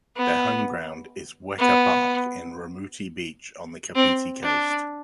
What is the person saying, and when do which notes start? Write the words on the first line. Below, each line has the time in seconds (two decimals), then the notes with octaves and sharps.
Their home ground is Weka Park in Raumati Beach on the Kapiti Coast.
0.16 B3
1.58 B3
3.95 C4
4.43 D4